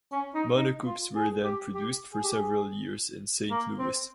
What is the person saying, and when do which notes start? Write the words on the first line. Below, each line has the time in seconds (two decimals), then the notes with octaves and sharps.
Monocoupes were then produced for several years in Saint Louis.
0.12 C#4
0.35 D#4
0.56 D#4
0.86 F4
1.16 G#4
1.44 G4
1.74 G4
2.13 G#4
2.24 G4
2.34 G#4
3.50 A#3
3.79 C4